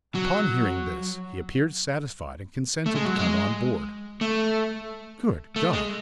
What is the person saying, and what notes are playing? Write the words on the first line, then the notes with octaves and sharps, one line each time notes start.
Upon hearing this he appeared satisfied and consented to come on board. Good God!
F#3
A3
G#3
F#3
G#3
A3
A3
G#3